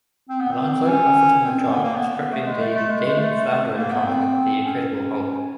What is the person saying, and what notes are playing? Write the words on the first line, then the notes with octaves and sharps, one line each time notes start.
Alonso offered him a job scripting the then-floundering comic "The Incredible Hulk".
C4
B3
C4
C#4
C4
C4
B3
A#3
B3
A3
G#3
A3
A3
G#3
G#3
A3
A#3
B3
C4
C#4